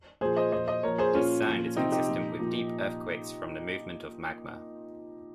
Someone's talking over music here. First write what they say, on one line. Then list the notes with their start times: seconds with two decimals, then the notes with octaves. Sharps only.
This sound is consistent with deep earthquakes from the movement of magma.
0.21 A#2 F3 G#4 C5
0.37 C5 D#5
0.52 A#2 F3 C5 D#5
0.68 C5 D#5
0.83 A#2 F3 A#4 C#5
0.98 G#4 C5
1.14 A#2 F3 C#4 F4
1.46 A#2 F3
1.76 C3 F3 C4 D#4
1.92 D#4 G4
2.08 A#2 F3
2.39 A#2 F3